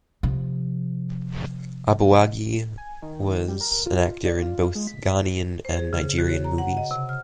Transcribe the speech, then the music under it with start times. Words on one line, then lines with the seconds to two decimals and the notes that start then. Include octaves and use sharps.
Aboagye was an actor in both Ghanaian and Nigerian movies.
0.23 C3 F3
2.78 G#5
3.02 D#3
3.48 G3
3.61 A#4
3.86 F4
4.25 D5
4.42 F4
4.75 G#3
4.87 B6
5.65 C5
5.77 G#4
5.93 C#3
6.18 F#4
6.29 C#5
6.44 A#5
6.58 F#5
6.77 D#5
6.91 C3
7.09 F6